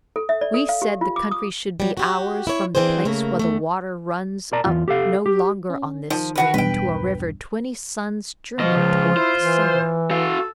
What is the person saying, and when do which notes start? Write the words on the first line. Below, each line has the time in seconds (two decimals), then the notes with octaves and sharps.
We said the country should be ours from the place where the water runs up no longer on this stream, to a river twenty sun's journey toward the summer.
0.16 A4
0.29 E5
0.41 D5
0.54 A4
0.69 F5
0.82 G4
1.01 F4
1.16 D6
1.31 D#6
1.80 F#3 G3
1.97 F#4 G4
2.47 E4 C#5
2.75 E3 C4 D4 G#4 C5
3.05 C#3 A3 A#3 A#4
3.39 E2 A3
4.53 A#4 D5 A5 A#5
4.64 E2 G2 F4
4.88 G4 A4 F5
5.26 G4
5.70 C#4
6.10 D#3 F3
6.36 E3 F#4 B4
6.54 B1 E2 G2 B4 G5
8.59 B2 F3 F4 D#5
8.76 C#2
9.17 E4 C5
9.40 E3
10.11 F#4 A4 F5